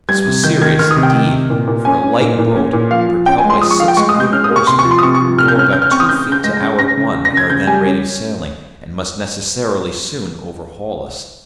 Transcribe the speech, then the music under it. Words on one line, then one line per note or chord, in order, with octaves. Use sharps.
This was serious indeed; for a light boat, propelled by six good oarsmen, would go about two feet to our one at our then rate of sailing, and must necessarily soon overhaul us.
G3 G#6
C3
D#3 G6
D#3 G#6
D#3 F6
D#6
C3
G5
D#3
C3
A#2
A#2
C#4 G#5
C#4
A#2
A#2
C#4
A#2
F3 F5
F3
C#4 G5
G#5
G#3
C6
F3 D#6
C#6
F3 F5
G5
G#3 C#6
D#6
G#3
G6
C#4 F6
D#6
A#3
C#6
C3 C6
C#6
F3
C6
D#6
C3 C#6
C#6
F3
C3 F6
G6
C#4 F6
C#3 G6
F6
C4 C#6
D#6
C#3 G6
C#3
G6
G#3 A#6
C#3
C#3 A#6
C#3
C#3
A#6
C#3 G#6
C#3 G6
G3 G#5
C#4